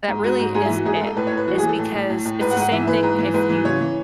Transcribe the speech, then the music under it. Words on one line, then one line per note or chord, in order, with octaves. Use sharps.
That really is it. It's because it's the same thing if you,
G#2
G#2 F#4
G#2
G#2 G#4
E4
E3
F#4
G#2 G#4
A4
G#2
A4
A2 B4
C#5
A2 B4
E3 F#4
G#4
E3
A4
A2
A2
A2
A2
G#2 B4
F#5
G#2
F#5
E3 E5
E3 B4
G#2
E3
G#2 B4
E3
C#3 C#5
E3